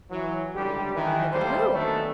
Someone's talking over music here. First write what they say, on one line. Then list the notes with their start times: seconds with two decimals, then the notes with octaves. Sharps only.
"Look at who?"
0.10 E3 F#3
0.55 C#2 D3 G3 G4
0.94 D#3 E3
1.32 D#2 G#2 G3 A3 C5
1.75 D#3 F#3 A3 B3 C#4 D4